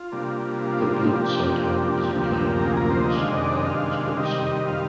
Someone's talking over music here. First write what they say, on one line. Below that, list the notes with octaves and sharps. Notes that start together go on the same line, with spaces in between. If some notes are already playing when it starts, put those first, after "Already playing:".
The Blitz Hotel is a play on words on London's Ritz Hotel.
Already playing: F4
C3 G3 A#3 D4
F4
C3 F3 A#3 D4 G4
D2 C3 F3 A#3
A#4
G#4
A#4
C5
D#5
C3 D#3 G#3 D4 F5
D#5
D5
D#5
F5
F5
C3 D#3 G3 D#5
F5